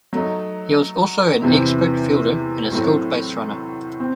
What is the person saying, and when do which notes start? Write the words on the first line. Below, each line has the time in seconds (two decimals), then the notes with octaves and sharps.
He was also an expert fielder and a skilled baserunner.
0.13 F#3 A3 D#4
1.42 E2 C3 E3 C4 E4
2.71 A2 F#3 A3 C4
4.00 C4